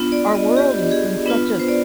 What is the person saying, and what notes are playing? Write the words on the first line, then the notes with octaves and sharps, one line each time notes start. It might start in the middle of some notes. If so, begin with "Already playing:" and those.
our world is in such a i
Already playing: B3 D4 F4
D5
D#5
G4
G#4
B3 D4 F4 B4
C5
D5